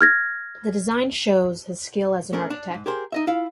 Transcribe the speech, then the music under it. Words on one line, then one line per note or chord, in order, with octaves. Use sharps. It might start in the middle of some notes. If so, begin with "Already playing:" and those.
The design shows his skill as an architect.
F6 G#6 A#6
A3 C#4 D4 A#4
D4
G#2
G4 G#4 A#4 C5
D#4 D#5 E5
E4 F4 F5